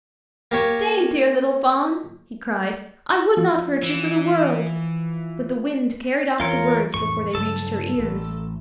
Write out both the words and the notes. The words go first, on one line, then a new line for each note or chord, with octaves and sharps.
"Stay, dear little Fawn," he cried, "I would not hurt you for the world." But the wind carried off the words before they reached her ears.
A#3 G4 C#5
F3
E3
E2 E3 F4 A#4 C#5
F2 A2 E3 C#6
G2 C#3 F#3 A4
A1